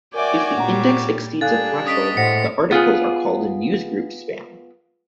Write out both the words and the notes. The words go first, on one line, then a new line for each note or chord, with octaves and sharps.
If the index exceeds a threshold the articles are called newsgroup spam.
F#4 A#4 C#5 D5 E5 G5 G#5 D6
A#2 G3 F#5 A#5
G3 D4 G#4 A4 F5 F#6 A6
C#4 D#5 D#6 B6 D7
A2 G#3 C5 F#5 A#6 C#7
B3 F4 G#4